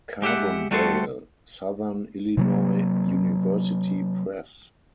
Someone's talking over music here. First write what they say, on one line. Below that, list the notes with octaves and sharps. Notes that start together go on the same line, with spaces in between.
Carbondale: Southern Illinois University Press.
G#3 G4 E5 F#5
G3 A3 F#4 A4 C5
C3 F#3 A#3